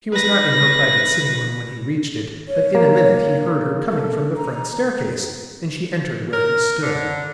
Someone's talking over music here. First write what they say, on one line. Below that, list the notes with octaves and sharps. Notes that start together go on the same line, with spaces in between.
She was not in her private sitting-room when he reached it, but in a minute he heard her coming from the front staircase, and she entered where he stood.
B4 A#6
C#5
A#3
A4
A#5
A#4
D3